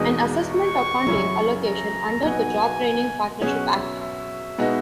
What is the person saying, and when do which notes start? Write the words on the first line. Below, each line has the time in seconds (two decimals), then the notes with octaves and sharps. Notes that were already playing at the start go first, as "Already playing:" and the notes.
An assessment of funding allo- cation under the Job Training Partnership Act.
Already playing: E2 B2 G#3 D#4 D#6
0.49 C#6
1.07 F#2 C#3 F#3 C#4 E4
1.65 A#5
2.24 B2 F#3 B3 D#4 F#4 G#5
3.41 B2 F#3 C#4 G#4 F#5
3.71 E5
4.00 E5
4.58 B2 G#3 B3 D#4 F#4